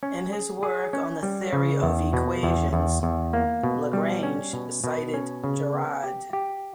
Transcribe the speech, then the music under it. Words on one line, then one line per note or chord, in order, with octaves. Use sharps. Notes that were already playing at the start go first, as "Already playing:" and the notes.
In his work on the theory of equations, Lagrange cited Girard.
C#4
G#4
G#4
C#4
G3
C#3
E2
B2
E2
E2
E2
A#3
B2
G3
C#4
B2
B2
C#4
C#3
B3
G4
G4